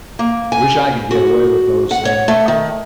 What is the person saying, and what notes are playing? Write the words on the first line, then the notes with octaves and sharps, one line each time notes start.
Wish I could get away with those things.
A#3
G#5
F#4
F#5
C#5
A3
D#3